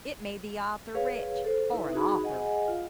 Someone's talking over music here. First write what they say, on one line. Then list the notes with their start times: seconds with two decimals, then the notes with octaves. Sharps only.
It made the author rich--for an author.
0.95 G#4 B4 C#5 F5
1.45 A4 C5
1.72 D#4 E4 B4 E5
1.93 D#4 F#4 G#4 B5
2.22 G#4 D#5 F#5 G#5
2.68 F4 F5